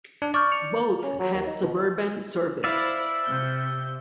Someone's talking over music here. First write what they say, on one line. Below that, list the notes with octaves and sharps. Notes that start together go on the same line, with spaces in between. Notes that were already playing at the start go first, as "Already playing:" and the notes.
Both have suburban service.
D4
D5 C#6 F6 G6
C#7 F7
C#4
F#3
D#2
D#4
B2
E4 C5 D5 E5 F5
C3 G6